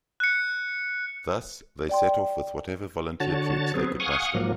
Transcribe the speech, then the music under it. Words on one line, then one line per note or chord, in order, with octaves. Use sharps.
Thus, they set off with whatever volunteer troops they could muster.
F#6 C#7
D5 G5 C6
D3 F#4 C#5 A5 A6
F#3 B3 C4 G#4
F5 F#5 G#5 C#6 D#6
G#2 F3 F#3 A#3